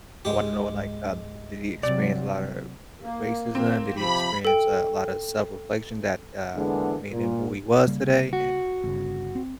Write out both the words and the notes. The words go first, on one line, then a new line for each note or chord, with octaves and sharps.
I wanna know what, like, um did he experience a lot of r r racism? Did he experience a lot of self-reflection that, uh, made him who he was today, and
C#2 G#2 G#3 G4
C3 F#3 D5
A#3
C4
C3 F3 G4 B5
A4 G5
E2 D3 G#3 A#3 B3 D4
A#2
C#3 G3 A#3
F#4
G1 C#3
C4